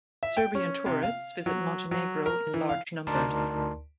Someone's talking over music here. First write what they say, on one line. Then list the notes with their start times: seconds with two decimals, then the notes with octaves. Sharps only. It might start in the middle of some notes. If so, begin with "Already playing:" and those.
Serbian tourists visit Montenegro in large numbers.
0.23 E5
0.37 G5
0.55 C#4
0.86 C3
1.03 F5
1.46 F#3
1.91 F#3
2.26 A#4
2.54 E3
2.69 F5
3.07 D2 D#4 A#4 D5 A5 C6